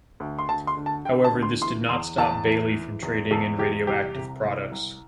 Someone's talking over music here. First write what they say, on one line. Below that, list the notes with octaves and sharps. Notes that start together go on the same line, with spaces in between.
However this did not stop Bailey from trading in radioactive products.
D2
C6
D2 A5
C6
D3
A5
D3 G5
A5
D2
C6
E3 C6
E2 C6
E2 A5
E3
E3
E2
E2 A4
E2 G4
C2 G4
C3
C2
C2